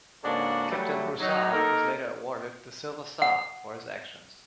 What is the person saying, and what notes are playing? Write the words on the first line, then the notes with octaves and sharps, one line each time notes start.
Captain Broussard was later awarded the Silver Star for his actions.
G#2 C#3 A#3 D4 F#4 A4
E3 F#3 G3 A3
F#3 D#4
A#3 D#4 A4 A#4
F#5